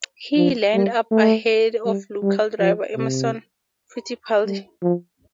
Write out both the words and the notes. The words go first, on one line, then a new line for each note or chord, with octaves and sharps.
He lined up ahead of local driver Emerson Fittipaldi.
F3
G3
A3
G3
G3
F3
C3
G3
F3